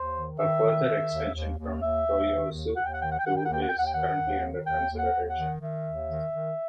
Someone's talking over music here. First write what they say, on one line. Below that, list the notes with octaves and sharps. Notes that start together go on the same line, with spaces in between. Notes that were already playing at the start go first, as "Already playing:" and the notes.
A further extension from Toyosu to is currently under consideration.
Already playing: D#2 C5
D#3
D#3 E5
D#3
D#3
D#2
D#2
D#2
D#2 E5
D#2
D#3
D#2
D#2 F#5
G5
F#5
D#3 G5
F#5
G5
D#3 F#5
G5
F#5
D#2
G5
F#5
D#2 G5
F#5
G5
D#3 F#5
D#2
D#3
D#2 G5
D#2
F#5
D#2
F#5
D#3
D#3 E5
D#2
D#3
D#3